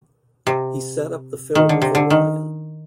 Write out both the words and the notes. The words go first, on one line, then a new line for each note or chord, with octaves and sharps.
He set up the film with Orion.
C3
D#3
D3
C3
D3
D#3